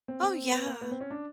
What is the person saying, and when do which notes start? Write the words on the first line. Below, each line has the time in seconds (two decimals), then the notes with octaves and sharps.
Oh, yeah.
0.08 C4
0.23 C4
0.52 B3
0.66 A#3
0.81 B3
0.91 C4
1.01 C#4
1.11 D4